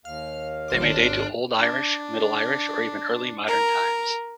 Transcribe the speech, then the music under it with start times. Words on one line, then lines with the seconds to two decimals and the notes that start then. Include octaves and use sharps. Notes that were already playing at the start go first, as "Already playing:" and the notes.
They may date to Old Irish, Middle Irish or even early modern times.
0.05 D#2 F5 F6
0.68 G#1 C6 D6
0.82 D4
1.60 D4
3.48 A#4